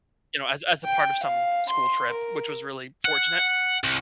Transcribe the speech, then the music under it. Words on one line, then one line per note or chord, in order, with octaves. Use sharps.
you know, as as a part of some school trip, which was really fortunate,
G5
F5
C6
A#4
F#5
C2